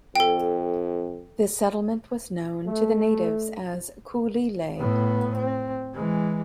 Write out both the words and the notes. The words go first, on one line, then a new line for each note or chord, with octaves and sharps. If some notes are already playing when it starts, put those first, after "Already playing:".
This settlement was known to the natives as "Culilay".
F2 A4 G5
A3
A2 B3
C4
E3 G#3